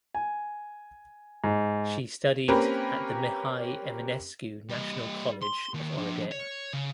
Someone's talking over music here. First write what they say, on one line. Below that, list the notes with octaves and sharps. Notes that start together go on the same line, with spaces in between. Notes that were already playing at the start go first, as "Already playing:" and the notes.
She studied at the Mihai Eminescu National College of Oradea.
G#5
G#2
A#3 C4 C#4 G4 A#4 B4
G3 D#5
C6
D#2
F3 D4
C#5
C#3